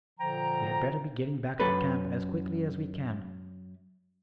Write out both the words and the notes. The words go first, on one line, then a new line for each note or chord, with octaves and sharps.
We had better be getting back to camp as quickly as we can.
A#2 D3 F3 G5 A#5
F#2 A4 B4